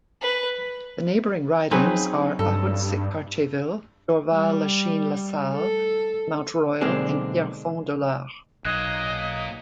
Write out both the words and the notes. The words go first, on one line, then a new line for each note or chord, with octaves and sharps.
The neighbouring ridings are Ahuntsic-Cartierville, Dorval-Lachine-LaSalle, Mount Royal and Pierrefonds-Dollard.
B4
F#3 C4 C#4 D#4 G#4 B4
G2 A4
G3
A4
B1 D3 G#3 A#3 C4 D4
B1 A#2 A#3 D#5 F#6 G#6